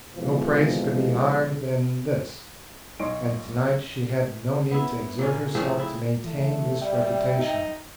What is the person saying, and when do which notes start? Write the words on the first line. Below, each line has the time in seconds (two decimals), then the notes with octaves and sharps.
No praise could be higher than this, and to-night she had no need to exert herself to maintain this reputation.
0.16 F2 G#2 B2 E3 F3 G#3
3.00 B1 C#5 D#5 C6 D7
4.71 B3 E4
5.19 A#2 A#3 C#4
5.55 A2 C#3 F3 C4
5.79 E4
6.24 E3 A3
6.82 G3 E5 G5
7.38 D#4